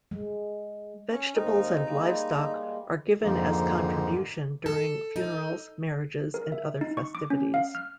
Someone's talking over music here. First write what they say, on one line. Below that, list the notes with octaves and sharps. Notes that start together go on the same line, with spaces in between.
Vegetables and livestock are given as contribution during funerals, marriages and other festivities.
G#3
C#4
D#2 C4 D#4 A#4
G3 G#3 A#3
F2 G#2 D3 F3 A#3 D#4
A4
D#4
A#4
E5
D#4
C#6
D6
C#4
F5
F6